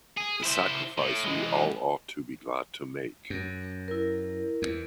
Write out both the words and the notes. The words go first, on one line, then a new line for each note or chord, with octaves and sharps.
It's a sacrifice we all ought to be glad to make.
G#4
E4 C5
A2
E3 G#3
F#2
E4 A#4
E2